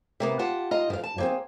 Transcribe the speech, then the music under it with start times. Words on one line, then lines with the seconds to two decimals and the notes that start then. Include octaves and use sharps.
Right, right.
0.20 C3 A#3 B3
0.39 F4 G4 F#5 A5
0.71 F4 D#5 A#5
0.90 F3 F5
1.03 A5
1.18 A#3 C4 G#4